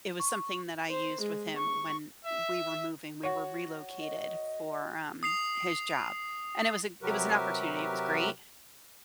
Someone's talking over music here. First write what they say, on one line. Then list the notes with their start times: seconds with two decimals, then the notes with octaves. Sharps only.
it was something that I used with him when we were moving. We were relocated for, um, his job, and it was a it was an opportunity. It was great.
0.20 C#6
0.90 C5
1.21 G#3
1.56 C#6
2.25 E5
3.23 F#4 C#5
4.00 D#5
5.23 D#6 C7 F7
7.02 C3 F#3 F#4 G4 A#4 B4